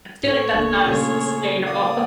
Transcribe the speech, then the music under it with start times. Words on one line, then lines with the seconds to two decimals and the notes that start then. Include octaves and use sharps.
feel like that's not as sustainable,
0.23 A2 A4 C#5
0.53 D1 C#2 A#3 B3 D4
0.85 A#2 C#3 A3 C#4 F4 G#4
1.66 A#3 D5 D#6